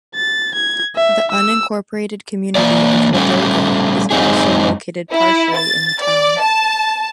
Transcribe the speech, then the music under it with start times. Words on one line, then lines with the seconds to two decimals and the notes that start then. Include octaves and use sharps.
The unincorporated community of Ladoga is also located partially in the town.
0.15 A6
0.54 G#6
0.96 E5
1.31 E6
2.55 E3 A#3 D5
3.14 G3 A3 C#4
4.10 F#2 G#3 C4 D#4 G#4
5.12 E4
5.55 A6
6.02 D5
6.40 A5